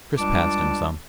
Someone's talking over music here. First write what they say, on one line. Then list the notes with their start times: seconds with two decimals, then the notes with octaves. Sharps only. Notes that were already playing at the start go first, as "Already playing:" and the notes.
Chris passed him some.
0.16 C#2 G3 D4 A5 D6